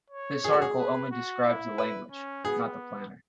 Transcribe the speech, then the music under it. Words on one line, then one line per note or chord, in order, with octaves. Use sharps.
This article only describes the language, not the planner.
C#5
G#4
F#4
G#4
B4
F#4
E4
B4
C#4
B3 G#4